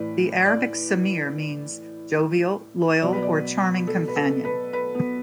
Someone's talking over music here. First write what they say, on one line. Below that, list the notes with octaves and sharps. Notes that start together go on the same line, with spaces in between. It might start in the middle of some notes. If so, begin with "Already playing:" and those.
The Arabic Samir means: jovial, loyal or charming companion.
Already playing: A2 E3 B4 D5
D5
B2 F#3 D5
B4
D5
A4
B4
A4
B4
B4
B3